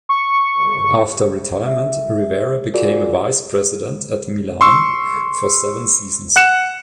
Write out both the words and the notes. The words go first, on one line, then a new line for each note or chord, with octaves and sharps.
After retirement, Rivera became a vice-president at Milan for seven seasons.
C#6
E5
F4 F#4 G#4 A#4 D5
C6 C#6 E6
F#5 F#6 C#7 E7